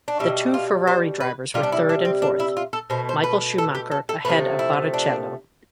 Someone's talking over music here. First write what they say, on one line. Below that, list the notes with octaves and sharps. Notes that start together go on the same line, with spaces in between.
The two Ferrari drivers were third and fourth; Michael Schumacher ahead of Barrichello.
D4
B2 G3 E4
F4
C5
B4
C3 G3 F4
D4
E4
D4
C4
D4
E4
F4
A4
B2 A3 C5
C5
B4
A4
G4
A4
A4
C3 F3 A3 B4
E4
D4